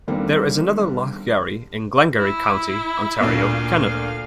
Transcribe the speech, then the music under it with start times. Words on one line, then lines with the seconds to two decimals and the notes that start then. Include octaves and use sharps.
There is another Loch Garry in Glengarry County, Ontario, Canada.
0.07 E2 D3 D#3 G3 A#3 C4
2.16 E4
3.21 D2 A#2 F5